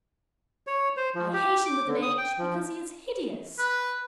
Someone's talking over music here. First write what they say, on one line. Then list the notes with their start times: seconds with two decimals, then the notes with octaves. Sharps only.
I hate him with an H, because he is Hideous.
0.67 C#5
0.97 C5
1.15 F3
1.33 G4
1.65 D6
1.88 D3
2.02 D#6
2.18 G5
2.38 F3
3.58 B4